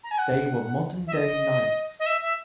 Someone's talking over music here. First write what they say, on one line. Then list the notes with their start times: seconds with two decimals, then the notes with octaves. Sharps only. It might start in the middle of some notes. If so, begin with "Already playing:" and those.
They were modern-day knights.
0.03 A#5
0.11 G#5
0.18 F#5
1.07 E5
1.12 D#5
1.99 D#5
2.06 E5
2.22 E5